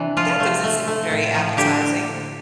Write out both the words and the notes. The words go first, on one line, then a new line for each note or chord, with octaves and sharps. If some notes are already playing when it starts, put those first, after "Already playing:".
That doesn't seem very appetizing.
Already playing: C3 E3 D4
F3 F4
A3
A3
A3
A2
F3
D3 G4